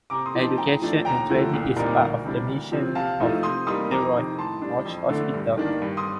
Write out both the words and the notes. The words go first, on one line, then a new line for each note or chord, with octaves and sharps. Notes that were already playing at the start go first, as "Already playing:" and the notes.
Education and training is part of the mission of Jeroen Bosch Hospital.
C3 A#5 D6
C6 D#6
F3 C4 D#4
A5 C6
A2 G5 A#5
F3 A3 D4
D#2 G5 A#5
D3 F3 A3
C2
A#2 G3 C4 D#4 A#4 D5
D2
C3 G3 D4
D2
C3 F3 C4
C3 F5 A5
F3 A3 D#4
C3 C6 D#6
G3 A#3 D#4 C6 D#6
F2 A#5 D6
C3 D#3
A2 A5 C6
G3 D4
F2
D3 A3 D4
G2
D#3 A#3 D4
G2
C6 D#6